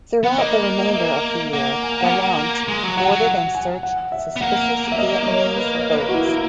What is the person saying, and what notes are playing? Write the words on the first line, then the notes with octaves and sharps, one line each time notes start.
Throughout the remainder of the year, "Gallant" boarded and searched suspicious Vietnamese boats.
B3
A#3 D#5
D#5
E5
A#3 F#5
G#5
B3 F#5
A#3 G#5
G#3 G#5
F#3
F#3 F#5
F#3
F#5
G#5
F#5
E5
B3
A#3 F#5
E5
D#5
D#5
C#5
B4
D#5
B4
F#4
E4
E4